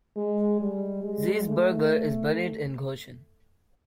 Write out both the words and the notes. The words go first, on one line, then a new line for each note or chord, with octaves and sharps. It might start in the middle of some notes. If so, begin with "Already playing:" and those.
Zeisberger is buried in Goshen.
G#3
G3
G#3
A3